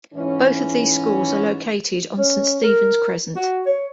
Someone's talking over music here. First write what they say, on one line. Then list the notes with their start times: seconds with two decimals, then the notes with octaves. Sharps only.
Both of these schools are located on Saint Stephens Crescent.
0.14 G#2 E3 C#4
2.18 C#4
2.63 A#4
3.36 F#4
3.66 C#5